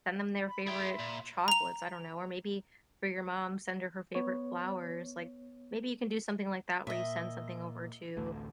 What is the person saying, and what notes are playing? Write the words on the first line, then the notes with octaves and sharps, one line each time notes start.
send them their favorite chocolates, I don't know. Or maybe for your mom, send her her favorite flowers, like, maybe you can do something like that where you send something over to
B5
G#4 E5 G5 B5 C6
A#2
A#5 F7
B3 C#5
A#2 D#5 E5
A1 D2 A3